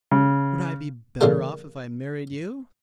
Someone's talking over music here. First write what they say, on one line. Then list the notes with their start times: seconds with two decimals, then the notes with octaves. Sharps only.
"Would I be better off if I married you?"
0.11 C#3
1.21 A#2 C#3 E3 G3 A3